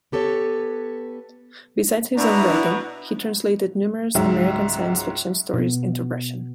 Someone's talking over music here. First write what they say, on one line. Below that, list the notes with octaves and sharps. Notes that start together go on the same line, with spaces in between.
Besides his own writing, he translated numerous American science fiction stories into Russian.
B3 G4 A4 B4 C#5
B2 D4 E4 B4 A#5
C#2 G#2 F#3 E5
B2 B3